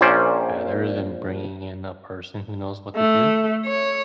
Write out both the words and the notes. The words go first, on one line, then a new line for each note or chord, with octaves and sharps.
better than bringing in a person who knows what to do?
A#1 A#2 C#4 C5 D5
A3
C#5